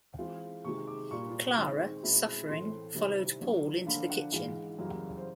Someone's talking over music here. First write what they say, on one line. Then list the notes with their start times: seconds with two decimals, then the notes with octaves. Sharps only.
Clara, suffering, followed Paul into the kitchen.
0.18 E3 G#3 C4 F4
0.65 C3 D#3 G#3 C#6
0.88 D6
1.10 A#2 G3 A#3 C#6
1.57 D#3 G#3 C4
2.03 B2 G#3 C4 E4
2.49 A2 E3 A3 C4 C6
2.95 C3 D#3 G3 C4 E4
3.40 C#3 F#3 A#3 D4
3.86 D3 F3 A#3 D4 F4 B5
4.10 F#5
4.32 G#2 E3 G#3 F5
4.78 F#2 C#3 E3 G3 A#3
5.17 C5